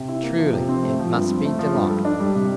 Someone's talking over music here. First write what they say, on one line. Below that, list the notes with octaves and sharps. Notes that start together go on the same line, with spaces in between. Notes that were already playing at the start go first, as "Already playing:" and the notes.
Truly it must be delightful.
Already playing: C3
E4
A#3
F3
C3
C4
A3
F3
G2
C4
A3
F3
G2
A4
D4
G3
C3